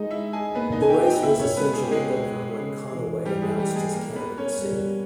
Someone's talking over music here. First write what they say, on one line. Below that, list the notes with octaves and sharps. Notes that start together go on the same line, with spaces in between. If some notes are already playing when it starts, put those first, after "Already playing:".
The race was essentially over when Conaway announced his candidacy.
Already playing: G#3 D#4 D#5
E4 E5
G#4 G#5
A#3 B3 B4
D#4 D#5
G#5
G4 G5
G4 G5
A#3 E4 E5
C#4 C#5
G#3 B3 B4
G#4
G4
C#3 G#3 G#4
B2
C#3
E3
G3 G4
G#3 G#4
G3 G4
G#3 G#4
A#3 A#4
B3 B4
C#4 C#5
G3